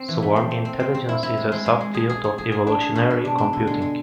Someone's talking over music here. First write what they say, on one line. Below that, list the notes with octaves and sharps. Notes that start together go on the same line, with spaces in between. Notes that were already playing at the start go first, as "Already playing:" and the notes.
Swarm intelligence is a sub-field of evolutionary computing.
Already playing: C4
E3
A3
C4
C4
C4
C4
C4
E4
E4
G#3
G#3
G#3
G#3
G#4
G#4
G#4
G#4
G#4
D4
G#4
B2
G#3
D4
D4
D3
G#3
G#3